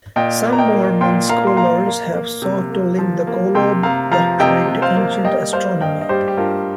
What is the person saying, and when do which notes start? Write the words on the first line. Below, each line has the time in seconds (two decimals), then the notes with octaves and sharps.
Some Mormon scholars have sought to link the Kolob doctrine to ancient astronomy.
0.16 A#2 D#5 G5
0.44 A#3
0.52 A#5
0.58 D#5 G5
0.72 A#3
1.01 A#2 G5 C6
1.29 A#3 F5 A#5
1.47 C6
1.57 A#3 F5 A#5
1.86 A#3
2.14 A#3
2.42 C3
2.70 A#3
2.99 F3
3.27 A#3
3.55 C3 G5 C6
3.83 C3 F5 A#5
4.12 F3 F5 A#5
4.40 C3 D#5 G5
4.68 C3
4.82 C5 F5
4.96 A#3
5.25 G3 D#5 G5
5.53 G3 C5 F5
5.81 G2 D#5 G5
6.01 D#5
6.09 G3 G4 C5
6.28 G4
6.37 G2 F4 A#4